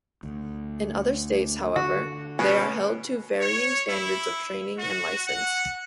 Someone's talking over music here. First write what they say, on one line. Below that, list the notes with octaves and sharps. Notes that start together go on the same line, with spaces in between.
In other states, however, they are held to varying standards of training and license.
D2
D3 F#4
B2 C#4
C#5
E4
F#4
F#5